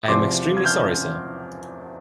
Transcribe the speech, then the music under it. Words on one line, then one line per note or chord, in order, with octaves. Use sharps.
I am extremely sorry, sir.
E2 C3 F3 C6 D6
G#6
F6 G6